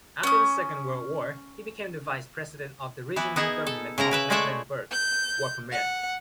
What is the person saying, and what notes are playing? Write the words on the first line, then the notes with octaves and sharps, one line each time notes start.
After the Second World War, he became the Vice President of the Regional Government of Mecklenburg-Vorpommern.
C#4 D#6
E3 B3 E4
B3 D#4 E4 G#4
A4
C#3 E4 A#4 A#5
E4 B4 E5
G#3 A3 C#5 D5 E5 F#5
G6
F#5